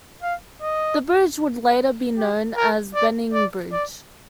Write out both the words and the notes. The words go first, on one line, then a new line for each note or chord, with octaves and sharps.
The bridge would later be known as Benning Bridge.
F5
D#5
G4
A#4
D5
D5
D5